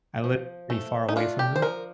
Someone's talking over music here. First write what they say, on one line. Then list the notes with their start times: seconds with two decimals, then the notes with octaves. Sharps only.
I live pretty far away from them.
0.24 F3
0.70 A3
1.09 D#4
1.16 D4 F4
1.39 G4
1.56 C5
1.62 F3 A#4